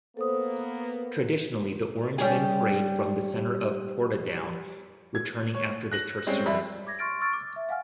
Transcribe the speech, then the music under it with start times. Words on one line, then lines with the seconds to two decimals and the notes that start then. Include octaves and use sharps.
Traditionally the Orangemen parade from the centre of Portadown, returning after the church service.
0.17 A#3 B3 A4 C5 D#6
2.18 G3 C#4 G#4
5.15 G#6
5.55 C#5
5.92 F#6 A#6 F#7
6.27 G3 G#3 C4 C#4
6.46 F2 G3 E5 B5
6.87 D6 G#6 A#6
6.99 C6 C#6 F6 A6 D7
7.21 C#6 E6 F6 A6 D7
7.33 D6
7.56 E5
7.69 F5 F#5 G#5 F6